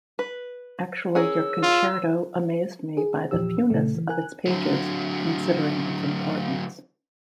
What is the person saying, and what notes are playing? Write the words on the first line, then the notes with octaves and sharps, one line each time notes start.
Actually, your concerto amazed me by the fewness of its pages, considering its importance...
B4
C#4 G#4 A#4 E6
F4
G#4
E2 A#2 F3 G4 E6
A#2 C#3 A3
E3
A#4 G#5 F#6
D3 F#3